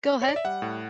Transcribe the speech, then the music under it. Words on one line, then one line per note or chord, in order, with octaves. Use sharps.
Go ahead.
C#5
D5
E5
G3 F#5
A2